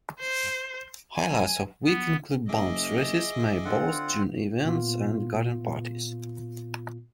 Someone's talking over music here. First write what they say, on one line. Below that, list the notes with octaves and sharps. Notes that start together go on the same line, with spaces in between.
Highlights of the week include Bumps races, May Balls, June Events and garden parties.
C5
G#5
B3
F#1 G#4 D#5 E5 D6
D3 C4 F4 F#5
A#2 B3 F4